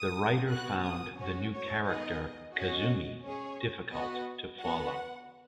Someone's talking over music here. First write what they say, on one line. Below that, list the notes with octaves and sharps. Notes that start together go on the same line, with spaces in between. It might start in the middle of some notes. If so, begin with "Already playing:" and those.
The writer found the new character Kazumi difficult to follow.
Already playing: D#6
B3 F#4 F#6
D#6
C#4 F#4 C#5
C#5
B3 D#4 G#4 D#5
C#4 F#4 D#5
C#4 G#4 C#5
B3 F#4 D#5
B3 F#4 F#5